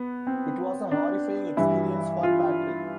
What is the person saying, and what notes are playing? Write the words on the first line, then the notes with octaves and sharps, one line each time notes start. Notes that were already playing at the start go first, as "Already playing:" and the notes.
It was a horrifying experience for Patrick.
Already playing: B3
C4
D4
G2 E3 G3 E4
F4